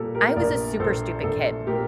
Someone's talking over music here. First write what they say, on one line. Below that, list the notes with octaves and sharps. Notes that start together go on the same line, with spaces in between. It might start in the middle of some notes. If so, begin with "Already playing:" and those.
I was a super stupid kid,
Already playing: A#2 G3 G4 A4 A#4
G4 A#4
A#1 A#4 D5
A#1 A4 C5
A#1 A4
A#2 G4 A#4